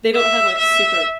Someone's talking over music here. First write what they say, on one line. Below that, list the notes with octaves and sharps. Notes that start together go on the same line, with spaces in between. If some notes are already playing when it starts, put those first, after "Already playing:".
They don't have a super
E5
E5